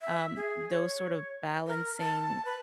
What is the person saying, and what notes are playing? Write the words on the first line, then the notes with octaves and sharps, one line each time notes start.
um, those sort of balancing,
E5
G#4
C#5
A#4
A5
B4